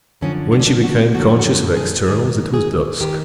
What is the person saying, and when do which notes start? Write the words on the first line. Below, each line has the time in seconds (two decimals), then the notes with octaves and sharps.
When she became conscious of externals it was dusk.
0.21 F#2 D3 F3 C#4
0.52 D4
0.60 C#4
0.67 D4
0.84 F#4
1.14 F#2 D3 F3 F#4
1.39 F#4
1.46 G4
1.77 G#4
2.07 G#2 D#3 G#4
2.54 G#4
3.00 D#3 G4